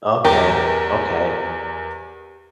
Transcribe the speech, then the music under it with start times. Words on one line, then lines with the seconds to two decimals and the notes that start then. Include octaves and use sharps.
Okay. Okay.
0.25 E2 G4 A#4